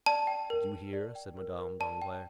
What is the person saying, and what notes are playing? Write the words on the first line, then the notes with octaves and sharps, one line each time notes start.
"Did you hear?" said Madame Danglars.
D5 A5
G5
A#4
A#4
D5
G5
A#4
A#4
D5 A5
G5